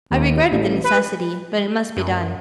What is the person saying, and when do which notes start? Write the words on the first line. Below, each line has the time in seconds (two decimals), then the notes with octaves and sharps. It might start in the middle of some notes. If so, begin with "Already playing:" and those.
I regretted the necessity, but it must be done.
0.11 D#2
0.51 A1
0.84 B4
1.97 F#2